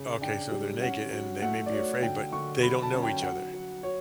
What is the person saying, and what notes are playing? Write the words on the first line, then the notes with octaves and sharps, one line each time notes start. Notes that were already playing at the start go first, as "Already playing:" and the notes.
Okay, so they're naked, and they may be afraid, but they don't know each other.
Already playing: C#3
D4 G5
G3
C#4 F#5
F#3
A3 F#5
D5
F#3 C#5
D3 G5
D3 C#6
F#3 B5
A5
C#4
G5
F#3 F#5
F#3
F#3 C#5